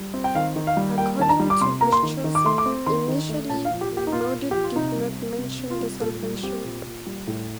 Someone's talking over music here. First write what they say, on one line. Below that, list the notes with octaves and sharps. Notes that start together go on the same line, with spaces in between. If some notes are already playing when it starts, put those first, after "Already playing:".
According to Viesturs, initially Mauduit did not mention the salvation.
Already playing: G3
C4
G5
D#3 F5
D#3
F5
G3
A#3 G5
D#3 A5
A#5
G3
D6
C3 C6
A#3 A#5
C6
D#3
D#3
D6
A3 C6
D6
C4
D#3 C6
D#3
A3
A#2 A5
F5
F3
G4
A#3
G4
D#4
A#2 F4
A#2
F3 G4
F4
C3 D#4
G3
C4
C3
C3
F4
G3
A#2 A4
G3
C4 G4
A#2
A#2
G3
A2